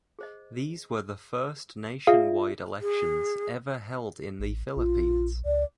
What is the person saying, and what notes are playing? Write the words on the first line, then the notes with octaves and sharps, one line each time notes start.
These were the first nationwide elections ever held in the Philippines.
G#4 C5 D#5
F4 G#4 D5 E5 F5
G#4
A1
A#1 F4
C#2 D5